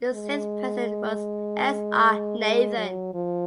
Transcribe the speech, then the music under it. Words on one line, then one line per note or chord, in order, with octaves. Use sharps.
The sixth President was S. R. Nathan.
G#3
G#3
F#3
F3